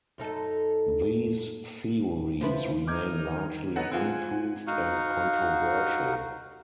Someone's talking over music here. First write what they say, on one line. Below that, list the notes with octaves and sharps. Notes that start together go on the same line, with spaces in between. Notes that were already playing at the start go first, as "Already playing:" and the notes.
These theories remain largely unproved and controversial.
F#2 D#4 A4
F3 E4 B4
D#4 D6 F6 G6 G#6
D#3
D#4 A4 B4 C#5 F#5 A#6
C4 F4 G#4 G#5
D#4 F#4 F5 F#5